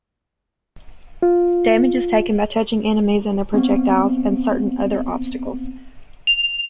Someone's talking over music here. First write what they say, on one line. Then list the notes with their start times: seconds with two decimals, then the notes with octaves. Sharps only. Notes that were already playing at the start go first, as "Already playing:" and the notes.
Damage is taken by touching enemies and their projectiles and certain other obstacles.
1.23 F4
3.54 B3 C4
6.27 F7